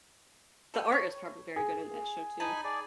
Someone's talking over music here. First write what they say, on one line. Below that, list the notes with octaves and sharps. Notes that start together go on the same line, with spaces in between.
the art is probably very good in that show too,
A4 B4 G5
C#5
G#4
D#4 G#5 A5 B5
G#4 D5